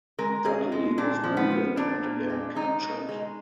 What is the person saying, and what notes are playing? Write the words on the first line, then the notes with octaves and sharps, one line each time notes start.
Dudley was wounded and again captured.
G#3 A#4
B2 G#4
G#3
A#2 D4
F3
B3
F3
A#2 D4
A#2
G#3
G#3 D#4
B2
G#3